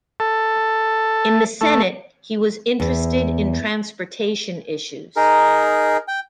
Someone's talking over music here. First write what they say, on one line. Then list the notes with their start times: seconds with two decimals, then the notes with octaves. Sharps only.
In the Senate, he was interested in transportation issues.
0.20 A4
1.61 A3
2.80 E2
5.16 D#4 G#4 A#4
6.08 G5